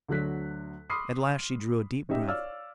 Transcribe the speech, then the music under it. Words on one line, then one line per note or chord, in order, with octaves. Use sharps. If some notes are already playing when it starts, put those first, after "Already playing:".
At last she drew a deep breath.
D2 D3 F#3 F#6 B6
B5 C6 D6 D#6 F6 C7
C#4 D#4 G4 E5
C#5 D5 F5 E6 F6